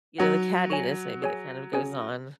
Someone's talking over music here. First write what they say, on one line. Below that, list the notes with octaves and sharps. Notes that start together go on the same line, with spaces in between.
you know, the cattiness, maybe, that kind of goes on.
F#3 D#4 F#4 C#5 F#5
F#4 C#5 G#5
G#4 C#5 G#5
C#4 G#4 C#5 G#5